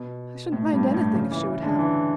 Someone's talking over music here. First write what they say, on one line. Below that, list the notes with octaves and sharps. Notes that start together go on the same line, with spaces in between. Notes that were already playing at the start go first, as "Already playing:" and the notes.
I shouldn't mind anything if she would have me.
Already playing: B2
A2
G2
G2
A2
C#3
E3
E3
D3
E3